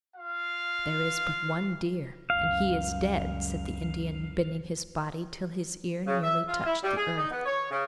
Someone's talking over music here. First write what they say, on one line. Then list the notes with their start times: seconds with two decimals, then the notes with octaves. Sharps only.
"There is but one deer, and he is dead," said the Indian, bending his body till his ear nearly touched the earth.
0.15 F4 F5
2.30 C#2 F#2 F5
6.06 C#3
6.23 E5
6.47 F4
6.65 E4
6.82 G3
6.97 G#4
7.18 D#4
7.31 B3
7.45 C#5
7.70 C#3